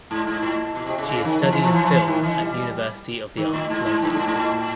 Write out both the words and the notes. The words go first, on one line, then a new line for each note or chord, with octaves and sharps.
She is studying film at University of the Arts London.
G#2
G#2
A2
B2
C3
C#3
C#3
D#3
F3
E3
F3
E3
F3
E3
D#3
E3
G3
D#3
A2
G#2
G#2
G2
G#2
A2
G#2
A2